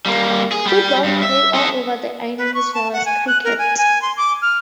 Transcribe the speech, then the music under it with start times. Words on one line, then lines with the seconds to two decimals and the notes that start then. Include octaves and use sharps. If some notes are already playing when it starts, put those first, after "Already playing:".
Football played all over the island as well as cricket.
0.06 G3 A#3
0.52 G#4
0.66 G3 G4
1.04 G2
1.23 E5
1.55 A4 D#5
2.38 B4
2.54 C#6
2.75 A5
2.93 F#5
3.06 G#5
3.27 F#6
3.44 A#4
3.58 G#5
3.78 G#5
4.02 C6
4.17 D6
4.42 F6